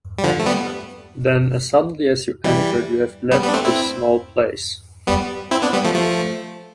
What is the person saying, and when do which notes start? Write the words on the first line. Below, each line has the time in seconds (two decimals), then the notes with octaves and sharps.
Then, as suddenly as you entered, you have left this small place.
0.19 G3
0.24 D3 F3
0.40 A3
0.46 G3 B3
2.44 E3 G3
3.31 G3 B3
3.43 G3 B3
3.48 D4
3.54 A3 C4
3.65 C4 E4
5.07 G3 B3
5.51 C4 E4
5.62 B3 D4
5.73 G3 B3
5.85 F3 A3
5.95 F3 A3